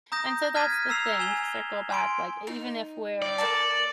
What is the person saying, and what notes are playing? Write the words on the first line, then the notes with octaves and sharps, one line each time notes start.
And so that's the thing, to circle back, like, e even if we're,
A#5 D#6 G6 A#6
F6 G#6 B6 D#7
A#5 E6 C7 F7
G#5 E7 G7
G#5 C6 D7
D#4
D5
A#3 A4 A5